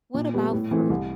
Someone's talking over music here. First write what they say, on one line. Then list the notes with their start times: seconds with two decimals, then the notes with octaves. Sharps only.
what about fruit?
0.14 A#2
0.34 G3 B3
0.52 A2
0.71 E3 A3 C4
0.90 C2